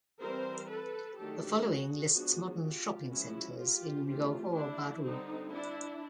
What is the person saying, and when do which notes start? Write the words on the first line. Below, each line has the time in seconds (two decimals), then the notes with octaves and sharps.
The following lists modern shopping centres in Johor Bahru.
0.22 E3 G3 C4 A#4 C5
0.70 A4 B4
1.18 D#3 F#3 A3 D4 G4 A4
1.67 F#4 G#4
2.15 F3 G#3 B3 D4
2.63 F4 G4
3.11 F3 G#3 C#4 E4 F#4
3.59 F4 G4
4.07 E3 A3 C4 F4 G4
4.56 D4 E4
5.03 D3 G3 C4 D#4
5.52 D4 E4